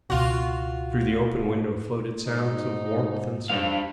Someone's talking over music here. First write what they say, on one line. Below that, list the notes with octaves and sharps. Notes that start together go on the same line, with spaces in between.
Through the open window floated sounds of warmth and Summer.
C#2 B2 F4 F#4
G#2 D#4
G2 G3 C4 D4 F5